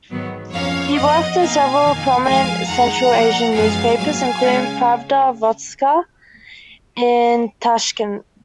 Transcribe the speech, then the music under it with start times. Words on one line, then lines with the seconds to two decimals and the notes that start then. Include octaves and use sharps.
He worked in several prominent Central Asian newspapers, including "Pravda Vostoka" in Tashkent.
0.10 G#2 D#3 F#3 B3
0.53 F2 F3 A#3 C#4 C#5 F5
0.96 F#2 F3 B3 D#5 F#5
1.40 B2 A#3 D#4 F5 G#5
1.82 F2 D#3 A#3 D#4
2.25 F2 F3 G#3 F5 G#5
2.68 F2 D#3 G#3 F#5 A#5
3.12 A#2 F3 A#3
3.54 F#2 F3 G#3 B3 F5 G#5
3.97 G#2 F#3 A#3 F5 G#5
4.40 C#3 G#3 C#4